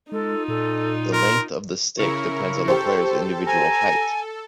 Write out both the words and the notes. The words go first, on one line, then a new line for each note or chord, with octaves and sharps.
The length of the stick depends on the player's individual height.
G#3 D#4 F4 A4
A#2 A4
A#4 C6
C#3 E4 A#4 C#6
G4 A4 C5
G#5 A#5